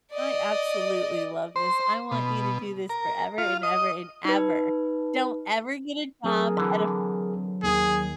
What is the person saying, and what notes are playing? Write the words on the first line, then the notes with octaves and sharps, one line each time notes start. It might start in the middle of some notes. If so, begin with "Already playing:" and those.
I absolutely love this; I want you to do this forever and ever and ever. Don't ever get a job at a
D5 D#5
C5
B2
A#4
F4
D#5
D#4 B4
F#3 C4 G#4 A#4
D3 E3
D#2 D#3 G#4